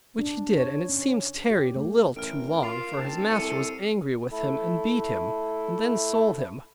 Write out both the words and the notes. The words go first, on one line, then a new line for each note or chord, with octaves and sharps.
Which he did, and it seems tarried a little too long; for his master was angry with him, and beat him, and then sold him.
D4
C#5
C#4
G4
A3
A1 A#4 F6 D7
F4 D6 C7 F7
D1 C4 A5
C2 A4 C#7 D#7
A3 E4 A4